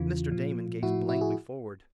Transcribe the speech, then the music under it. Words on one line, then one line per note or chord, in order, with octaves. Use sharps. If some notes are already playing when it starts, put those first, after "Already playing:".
Mr. Damon gazed blankly forward.
Already playing: E2 C#3 E3 F4
A#2 F3
A2 F3 E4 F#4
E4 F#4
F#4 G#4